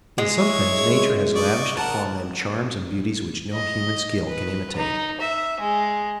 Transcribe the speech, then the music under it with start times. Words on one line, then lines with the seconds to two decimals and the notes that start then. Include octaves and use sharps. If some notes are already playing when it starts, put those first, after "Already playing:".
In some things nature has lavished upon them charms and beauties which no human skill can imitate.
0.18 G#3
0.38 E4 C#5
1.35 D5 D#5 C#6
1.77 A#4 F#5 A5
3.53 D#5
4.28 B4
4.76 D#4
5.21 E5
5.60 G#3